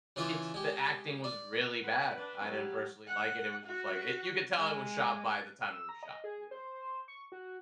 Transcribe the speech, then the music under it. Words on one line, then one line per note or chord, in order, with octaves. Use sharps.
it's the acting was really bad. I didn't personally like it. It was just like i you could tell it was shot by the time it was shot, you know?
C#3 E3 F4 G#4 E5 D6
G#3 G4
D5
B4 F#5
D4 B4
F#3 G3
F#5
F#4
G#3
E6
A#5
D#5
G#4
C5
C#6
F#4